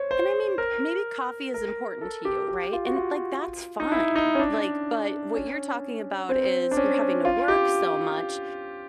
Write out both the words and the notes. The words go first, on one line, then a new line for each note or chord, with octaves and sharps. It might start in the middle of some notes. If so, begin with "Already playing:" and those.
and I mean, maybe coffee is important to you, right, and, like, that's fine, like, but what you're talking about is you're having to work so much,
Already playing: C5 C#5
C5
A#4
A#4
A4
G4
G4
F4
F#4
F4
D#4
E4
D#4
C#4
D4
C#4
C4
D4
C#4
F4
G4